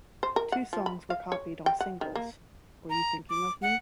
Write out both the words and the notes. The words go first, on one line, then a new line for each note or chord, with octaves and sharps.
Two songs were copied on singles, Were You Thinking Of Me?
C5
A#4
F#5
F3
B5
F5
C#5
G5
F#5
D#3
A#3
A#5
D6
F#5